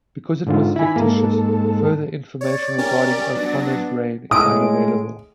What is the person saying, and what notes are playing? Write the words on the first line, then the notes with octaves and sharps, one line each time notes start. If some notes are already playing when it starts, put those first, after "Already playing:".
Because it was fictitious, further information regarding O'Connor's reign is unavailable.
G#2 D3 F4
D#3 E4 G#5 B5
G#2 A#3 A4
C#5 D5
C#4 G4 A#4
F#3 B3 D4 A#6
A2 C#3 G#3 D#6 D7